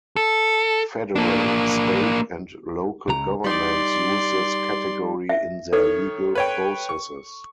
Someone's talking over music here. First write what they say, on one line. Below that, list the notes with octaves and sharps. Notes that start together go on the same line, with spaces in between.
Federal, state, and local governments use this category in their legal processes.
A4
A#3 D4
C#2 C#3 A#5
G3 D#4 D5 C6
E5
D#3 A4 C#5
B4 C#5 G5
C#6